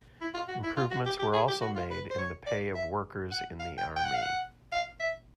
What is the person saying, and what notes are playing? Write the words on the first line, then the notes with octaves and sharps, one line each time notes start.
Improvements were also made in the pay of workers in the Army.
E4
F4
F#4
E4
F4
F#4
G4
G4
G#4
G4
F#4
F4
B4
C5
C#5
D5
E5
F#5
F5
G5
G5
F#5
F5
F#5
F5
E5